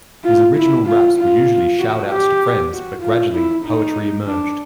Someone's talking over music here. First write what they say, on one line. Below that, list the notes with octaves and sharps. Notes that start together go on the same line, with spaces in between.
His original raps were usually shout-outs to friends, but gradually the poetry emerged.
F4
E4
F4
F4
F#4
G4
F#4
F4
E4
D#4
D4